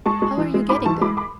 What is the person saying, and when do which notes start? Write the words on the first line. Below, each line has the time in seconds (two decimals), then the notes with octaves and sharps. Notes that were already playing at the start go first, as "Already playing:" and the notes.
"How are you getting there?"
0.06 G#3 A5 C#6
0.22 G#3
0.37 E3
0.54 G#3
0.69 G#2 B5 D6
0.86 E3 A5 C#6
1.01 G#3 B5 D6
1.17 B5 D6